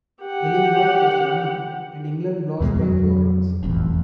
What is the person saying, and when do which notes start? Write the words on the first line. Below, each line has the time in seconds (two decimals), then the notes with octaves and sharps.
Illingworth was run out, and England lost by four runs.
0.22 G4 F#5
2.60 D#2 B2 G#3
2.76 F2 F#3
3.63 E1 A1 F2